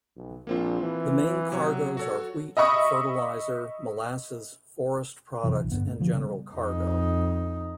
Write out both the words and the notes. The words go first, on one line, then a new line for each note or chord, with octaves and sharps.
The main cargoes are wheat, fertiliser, molasses, forest products and general cargo.
B1
A#1 A#3 C4 F4
E3
C3 F#3 C#5
F#4 A4 C#5
D#5 E5 B5 C#6 D#6
F#2 C3 E3 F#3
D1 A#1
D2 G2 B3
A3
D3 F3 G3
C#3 G3 B3
F2 D#4